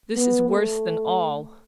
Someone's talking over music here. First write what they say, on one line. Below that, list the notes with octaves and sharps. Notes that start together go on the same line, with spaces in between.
"This is worse than all."
B3
A3